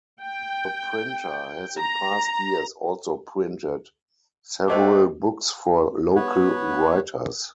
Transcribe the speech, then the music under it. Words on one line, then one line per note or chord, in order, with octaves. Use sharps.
The printer has in past years also printed several books for local writers.
G5
A#5
A3 C4 F#4 C5 D#5 D6
B3 B4 C#5 F#5